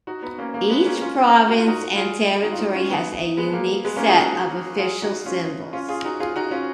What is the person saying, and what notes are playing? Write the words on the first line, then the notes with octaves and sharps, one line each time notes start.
Each province and territory has a unique set of official symbols.
D#4 F#4
B3 D#4
A#3 C#4
A#3
G#3 B3
A#3 C#4
C#4 F4
F#4
F4
D#4 F#4
F4 G#4
D#4 F#4
F4
D#4 F#4
C#4 F4
B3 D#4
G#3 B3
A#3
G#3 B3
A#3 C#4
F4 G#4
D#4 F#4
F4 G#4
D#4 F#4
C#4 F4
C#4 F4
F4 G#4
D#4 F#4
F4 G#4
D#4 F#4
C#4 F4